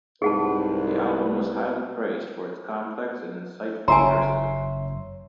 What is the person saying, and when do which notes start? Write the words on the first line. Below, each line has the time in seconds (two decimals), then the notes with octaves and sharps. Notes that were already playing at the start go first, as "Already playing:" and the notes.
The album was highly praised for its complex and insightful lyricism.
0.22 C2 G#2 G#4 B4 F#5 A5
3.88 F#1 C#5 E5 G#5 A#5 C6